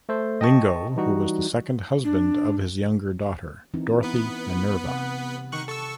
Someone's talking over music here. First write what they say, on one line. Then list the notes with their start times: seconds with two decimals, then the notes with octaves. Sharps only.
Lingo, who was the second husband of his younger daughter, Dorothy Minerva.
0.09 A3 A4 C5
0.41 D#5 G5 A5 C#6
0.96 E3 G3 D#4 F#4
2.04 D4
3.74 E3 C4 D#4
4.03 B3 B4
4.86 C3 F#5
5.52 D#3 C#6 F#6
5.68 A4 C#6 E6